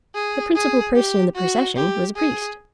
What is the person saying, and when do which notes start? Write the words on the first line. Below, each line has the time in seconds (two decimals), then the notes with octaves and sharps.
The principal person in the procession was a priest.
0.15 G#4
0.55 G#4
0.96 G4
1.36 F#4
1.76 G4
2.16 G#4